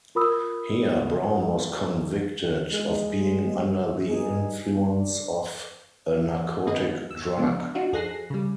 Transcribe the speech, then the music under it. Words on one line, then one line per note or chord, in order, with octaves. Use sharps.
Here, "Brown was convicted of being 'under the influence of" a narcotic drug.
F4 A#4 B5 D#6 E6
G#3
G2 D#4 G#4
D4
D#3 A#3 C4 G#4 B4 D#5
E6
C#3 F3 G#3 B3 D4
D4 D#4 F4 F#4
F2 G#4 A4 F#6 A#6 C7
C#3 G3